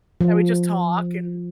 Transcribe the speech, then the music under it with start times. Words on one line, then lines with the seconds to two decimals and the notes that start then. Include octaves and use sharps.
And we'd just talk and
0.21 F3